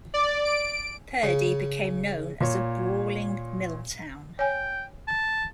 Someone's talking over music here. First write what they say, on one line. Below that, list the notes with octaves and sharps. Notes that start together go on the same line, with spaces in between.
Purdy became known as a "brawling mill town".
D5
D7
C#3
A#2 C#5
C#5 G5 G#5
A5